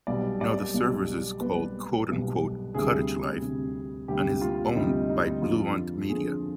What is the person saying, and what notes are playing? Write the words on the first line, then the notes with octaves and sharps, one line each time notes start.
Now the service is called "Cottage Life" and is owned by Blue Ant Media.
B1 B2 G3 D5
D5
B1 B2 G3
B1 B2 G3 B4
B1 B2 G3
D2 C3 G3 G#4
D2 C3 G3
D2 C3 G3 G4
F4
D2 C3 G3 D#4
D#4
F2 D3 F3 F4
F2 D3 F3 G#4